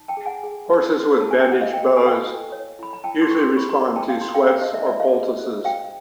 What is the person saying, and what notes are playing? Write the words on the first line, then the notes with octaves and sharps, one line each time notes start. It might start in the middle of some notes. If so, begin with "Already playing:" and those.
Horses with bandage bows usually respond to sweats or poultices.
Already playing: D#4
G5 A5
G#4
F#5 G#5
G#4
D#4
B4
G#4 A5
G#5
G5
E4 F#5
D#5 F5
E4 F5 G5
G5
A4 G#5
F5 G5
E4
C#5
E4 B5
A#5
E4 G5 A5
C6 D6
A4 C#6
C6 D6
G#4 B5 C#6
A#5 C6
D#4
G5 A5
D#4 F5 G5
A#5 C6
G#4 F5 G5
F5 G5
D#4 D#5 F5
D5 E5
D#5
D#4 D5 E5
D#5 F5
G#4
C5
F#4 F5 G5